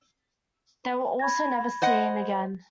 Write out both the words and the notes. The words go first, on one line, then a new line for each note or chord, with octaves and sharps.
They also were never seen again.
B5 G#6 A#6
C5 D#5 F#5